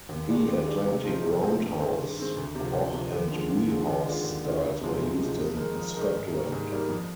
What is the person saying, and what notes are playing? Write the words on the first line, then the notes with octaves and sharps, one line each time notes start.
The Atlantic roundhouse, Broch and Wheelhouse styles were used in Scotland.
D#2
D#3 G#3 D4 G4
D#2
D#3 G#3 D4 G4
C3
F3 G#3 C4 D#4
C3
F3 G#3 C4 D#4
G2
D#3 G#3 C4
G2
D#3 G#3 C4
D2
C3 F3
D2
C3 F3
D#2
D3 F3 G#3
D#2
D3 F3 G#3
D#2
D3 G#3 D4 F4
D#2
D3 G#3 D4 F4
D2
C3 F3 G#3 D#4
D2
C3 F3 G#3 D#4
F2
D#3 G#3 D#4 A#4
F2
D#3 G#3 D#4 A#4
G#2
D#3 G3 A#3
G#2
D#3 G3 A#3
F2